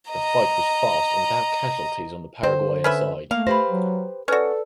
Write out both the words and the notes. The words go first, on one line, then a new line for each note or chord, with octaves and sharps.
The fight was fast and without casualties on the Paraguayan side.
D#5 A#5
D3 C4 C5
C#4 B4 E5
A3 A#3 F5
G4 B4 C5 B5 A#6
F#3
C#4 F#4 A4 B4 D5